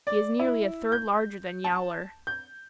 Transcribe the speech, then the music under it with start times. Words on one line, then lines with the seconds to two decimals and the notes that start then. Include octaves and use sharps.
He is nearly a third larger than Yowler.
0.07 D5
0.39 E4
0.92 G6
1.64 A5
2.27 G6